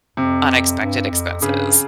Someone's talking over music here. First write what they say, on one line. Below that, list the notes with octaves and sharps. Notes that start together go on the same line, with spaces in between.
unexpected expenses.
F2 C3
G2
F2
G2 C#3